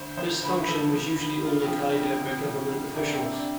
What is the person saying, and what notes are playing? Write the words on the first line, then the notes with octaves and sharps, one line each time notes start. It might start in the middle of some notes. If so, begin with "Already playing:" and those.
This function was usually only carried out by government officials.
Already playing: D2 C5
F3 C5
D2 B4
B4
F3 A4
F3
D2
D3 F4
C4
F3
D4
D2
C4
D2
F3
D2
C3 D4
C4
C3
D4